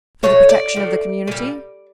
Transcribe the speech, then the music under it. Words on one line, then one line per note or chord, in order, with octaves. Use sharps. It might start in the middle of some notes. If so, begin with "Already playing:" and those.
"For the protection of the community?"
B2 F#3 A3 C#5
D5
A2 F3 A3
A#2 G3